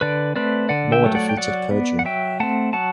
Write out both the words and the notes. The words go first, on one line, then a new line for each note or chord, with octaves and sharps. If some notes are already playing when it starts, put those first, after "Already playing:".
Moore defeated Perdue.
D3 B4 D5
A3 C4 B4 D5
D3 D5 F#5
E5 G5
F#3 A3
D5 F#5
G5
F#3 D5 F#5
B3
F#5
F#3 E5 G5
A3 C4 F#5 A5
F#3 F#5 A5